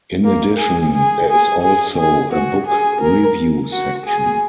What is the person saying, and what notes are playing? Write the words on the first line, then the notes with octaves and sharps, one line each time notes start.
In addition, there is also a book review section.
A#3
G#4
G#4
G#4
G#4
G#4
F#4
G#4
A#4
F#4
G#4